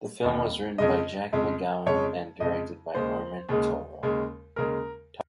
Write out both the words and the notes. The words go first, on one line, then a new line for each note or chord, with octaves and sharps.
The film was written by Jack McGowan and directed by Norman Taurog.
F1 D#2 D#3
F2 C#3 G#3 D#5
F2 C#3 G#3
F2 C#3 G#3 C#5
F2 C#3 G#3 D#5
D#2 C#3 G#3 C5
D#2 C#3 G#3
D#2 C#3 G#3
D#2 C#3 G#3 A#4